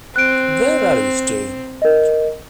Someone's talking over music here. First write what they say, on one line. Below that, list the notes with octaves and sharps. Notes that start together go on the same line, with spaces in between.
Where are you staying?
C4 F#6 D7
A#4 D#5